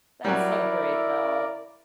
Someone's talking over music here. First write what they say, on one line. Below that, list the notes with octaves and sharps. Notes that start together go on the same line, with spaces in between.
that's so great, though.
F#3 G3 E4 A#4 D5